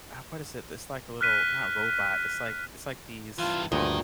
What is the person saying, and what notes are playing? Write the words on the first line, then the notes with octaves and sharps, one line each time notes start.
uh, what is it? It's like the little not robot, it's, like it's, like, these,
F6 F#6 B6 D#7
G2 E3 F4
D2 G2 A#2 D#3 D#6